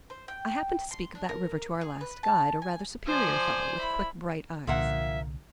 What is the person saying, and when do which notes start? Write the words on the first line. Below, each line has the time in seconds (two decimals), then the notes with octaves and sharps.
I happened to speak of that river to our last guide, a rather superior fellow with quick, bright eyes.
0.10 C5
0.28 G5
0.91 C6
1.15 D4
1.29 A#4
1.81 G#4
2.01 B4
2.23 A5
2.62 G#5
3.08 F3 C5 D5 G#5
3.79 E4 B5
4.67 C2 A#2 D3 F3 A#3 E5 F#5